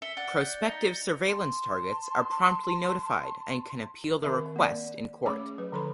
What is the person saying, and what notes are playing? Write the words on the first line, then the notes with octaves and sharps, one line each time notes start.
Prospective surveillance targets are promptly notified and can appeal the request in court.
E5 C#7 G7
D5 F#5
G6 A6
D#4 A#6 B6
A5 C6
D#3 C4 A#4 E5 C#6
A#3 D5
A3 C#4 G#4 C#5 B5 D6
F#3 B4
D3 F3 A4 B5 C6